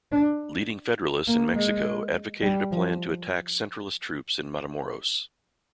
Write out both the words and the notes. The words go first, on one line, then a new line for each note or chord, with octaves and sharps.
Leading federalists in Mexico advocated a plan to attack centralist troops in Matamoros.
D4
A#3
G#3
G3
F3